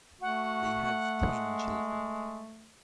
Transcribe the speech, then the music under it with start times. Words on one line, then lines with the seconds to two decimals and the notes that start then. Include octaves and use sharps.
They have ten children.
0.21 A3 F#4 F#5
1.19 G#3